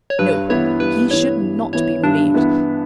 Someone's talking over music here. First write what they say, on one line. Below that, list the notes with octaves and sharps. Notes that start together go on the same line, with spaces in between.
No! he should not be relieved.
C#5
G2 B4
E3 B3 E4 B4 C#5
G2 B4
E3 B3 E4 B4 C#5
G2
E3 B3 E4 B4 C#5
G2 D4
E3 B3 E4 B4